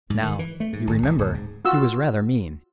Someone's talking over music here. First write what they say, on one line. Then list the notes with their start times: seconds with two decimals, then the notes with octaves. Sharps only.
Now, you remember, he was rather mean.
0.10 G#2
0.23 D#3
0.39 E3
0.60 A3
0.73 G#2
0.87 G#1
1.02 F1
1.18 D1
1.35 G#2
1.65 F4 F#4 E6